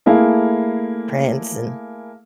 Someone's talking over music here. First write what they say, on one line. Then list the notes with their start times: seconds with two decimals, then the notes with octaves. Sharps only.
Prince and,
0.06 A3 A#3 E4 G#4 F5